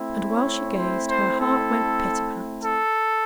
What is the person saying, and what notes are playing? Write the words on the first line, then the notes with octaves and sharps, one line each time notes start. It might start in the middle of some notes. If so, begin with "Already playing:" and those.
And while she gazed her heart went pitapat.
Already playing: A3 C4 E4
C#5
C5
C5
A4
A4